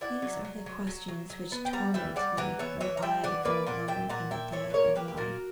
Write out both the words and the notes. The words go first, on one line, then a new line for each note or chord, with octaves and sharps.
These are the questions which torment me when I am alone in the dead of night.
E4 D5 F#5
F#3
F#3
F#3
F#3
F#3
F#3
B3
G5
G3 F#5 A#5
E3 E5 G5
G3 D5 F#5
E3 F#5 A#5
B3 C#5 E5
E3 C#5 E5
A#5
G3 E5 G5
E3 D5 F#5
A#3 B4 D5
A#2 D5 F#5
A#2 E5 G5
A#2 F#5 A#5
E4 E5 G5
A#2 C#5 E5
B4
A#3 A#4 C#5
A#3 G4 B4
G4
A#2 F#4 A#4